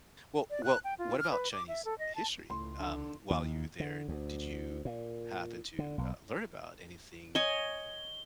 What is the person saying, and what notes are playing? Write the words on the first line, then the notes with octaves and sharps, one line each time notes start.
Well well, what about Chinese history? Um, while you were there, did you happen to, uh, learn about anything
D5
F#6
G5
F4
F6
B4
D6
E5
A4
D#5
A5
C#2 A2 C6
D3
D#2
D3
D2
A#2
D3
B1
C#5 D#5 G#5 G7